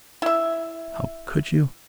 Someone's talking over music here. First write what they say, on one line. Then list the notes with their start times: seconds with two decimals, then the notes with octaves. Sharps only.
How could you?
0.22 E4 E5